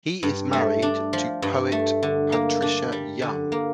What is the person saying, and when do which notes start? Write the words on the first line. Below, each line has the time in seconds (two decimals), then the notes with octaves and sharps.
He is married to poet Patricia Young.
0.23 G2
0.53 A3
0.82 D4
1.13 F3
1.42 G2
1.72 A3
2.03 D3
2.32 A#3
2.62 D4
2.92 G3
3.22 D3
3.52 A#3